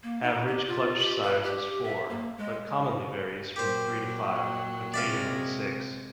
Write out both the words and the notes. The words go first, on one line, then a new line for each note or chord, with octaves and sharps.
Average clutch size is four, but commonly varies from three to five, occasionally six.
A#3
D#4
G4
F4
G4
B4
G4
E5
A#3
G#3
A#2 F#3 G4 A#4 C5 G5
G5 C#6
C3 G#3 D5 E5 F5